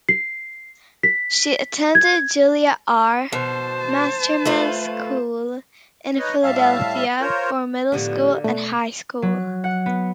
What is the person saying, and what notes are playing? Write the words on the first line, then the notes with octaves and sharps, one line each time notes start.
She attended Julia R. Masterman School in Philadelphia, for middle school and high school.
C7
B6
G#6
B2 C5 A5
A3 F4 B4
D#4 B4 C#5 D#5
A2 G3 E5 F5 A5
F4 A#4 C5 C#5
A2 D3 F3 A#3 B3 G4
B2 A3 D5
F#3
F#5
B3